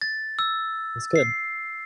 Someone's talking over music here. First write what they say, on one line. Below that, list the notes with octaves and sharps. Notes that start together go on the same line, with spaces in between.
That's good.
A6
E6
C7